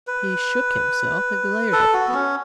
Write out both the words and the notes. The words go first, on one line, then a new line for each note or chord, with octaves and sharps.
He shook himself and glared at them.
B4
A4
F#4
B3
C#4